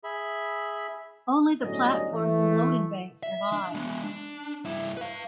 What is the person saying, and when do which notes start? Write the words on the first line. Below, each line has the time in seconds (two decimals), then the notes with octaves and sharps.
Only the platforms and loading bank survive.
0.04 G#4 E5 B5
1.61 G1 A2 D3 F#3 C#4 D#5
2.11 E3 A3
3.23 E5
3.52 D4
3.75 G#3 B3
4.04 D4
4.66 G2 E4
4.97 B4 F5